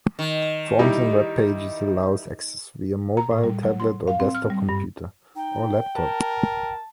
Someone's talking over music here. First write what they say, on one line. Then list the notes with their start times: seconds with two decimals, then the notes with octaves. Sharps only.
Forms in webpages allows access via mobile, tablet or desktop computer or laptop.
0.19 D#3
0.79 G3 D#4 E4
3.17 A#5
3.31 A2
3.44 G3
3.63 F#3
3.80 C6
4.08 F5
4.20 C4
4.35 F6
4.50 G3
4.69 G2
5.36 D#4 G5
5.96 A#4 A5